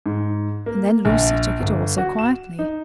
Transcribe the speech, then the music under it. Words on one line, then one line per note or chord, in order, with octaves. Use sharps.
And then Lucy took it all so quietly.
G#2
A#3
A#1
G1
F#4
E7
D#4